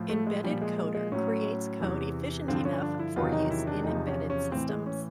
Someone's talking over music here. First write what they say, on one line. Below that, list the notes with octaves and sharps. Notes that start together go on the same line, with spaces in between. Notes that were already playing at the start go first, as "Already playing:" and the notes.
Embedded Coder creates code efficient enough for use in embedded systems.
Already playing: A2 F3
A3
G#3
A#2 F3 G3
G#3
G#3
G#3
A2 F#3 C#4
E2 C3 E3
G2 D3 F3 C4
C#4
D4
E4
E2 C3 D#3 F#3 F4
D#4
E4
D4
E2 C3 F3 D#4
C#4
C#4
A2 E3 C4
G#3
C#4